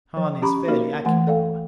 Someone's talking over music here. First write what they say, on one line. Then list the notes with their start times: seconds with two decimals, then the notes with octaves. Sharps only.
"Hahn is fairly accurate, Moa."
0.17 F3
0.42 C#4 G4 A#5 B5 C#6
0.68 A#3 D#4 F#4 A#4
1.05 E3 A3 F#5 G#5
1.27 A4 D5 F5 G5